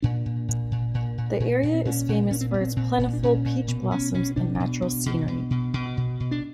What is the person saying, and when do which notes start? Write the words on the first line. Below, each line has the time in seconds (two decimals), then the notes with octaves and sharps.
The area is famous for its plentiful peach blossoms and natural scenery.
0.02 A#2 D4
0.26 A#2
0.48 A#2
0.72 A#2
0.94 A#2
1.18 A#2
1.40 A#2
1.63 A#2
1.74 C4
1.85 A#2 C#4
2.08 A#2
2.31 A#2 C#4
2.41 C4
2.51 A#2 B3
2.61 C4
2.76 A#2 C4
2.99 A#2
3.13 D4
3.23 A#2 C#4
3.45 A#2
3.68 B2
3.91 B2 C#4
4.14 B2 C#4
4.36 B2 D4
4.60 B2
4.82 B2
5.06 B2
5.28 B2
5.51 B2
5.74 B2
5.97 B2
6.20 B2
6.31 D4